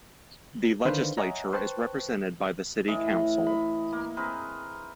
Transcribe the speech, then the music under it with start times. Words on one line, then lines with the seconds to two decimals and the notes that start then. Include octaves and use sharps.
The legislature is represented by the City Council.
0.85 D3 D#3 D4 B4 C5 F5
1.17 C#5 D#5 E5 F#5 G#5 A#5
1.53 B4 C5 G5 A5 C#6 F#6
2.88 A2 E3 D#5
3.46 B5
3.92 A#3
4.17 C4 G#4 A#4 B4